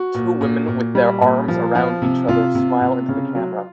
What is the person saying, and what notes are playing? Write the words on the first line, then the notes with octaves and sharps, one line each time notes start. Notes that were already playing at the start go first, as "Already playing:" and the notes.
Two women with their arms around each other smile into the camera.
Already playing: F#4
A#2
A#2
A#2
G3
A#2
F3
F3
C3
C3 F4
C3
C3
C#3
F#3